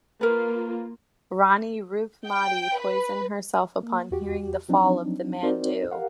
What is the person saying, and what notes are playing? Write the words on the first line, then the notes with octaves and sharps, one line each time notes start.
Rani Roopmati poisoned herself upon hearing of the fall of Mandu.
A#3 F4 A#4 B4
G5
B4
A#3
E2 F#4 G4
F3 F#3 C4 D4 D#4
C4 D#4 F#4 A#4 C5 D5
G4 A#4 F5 F#5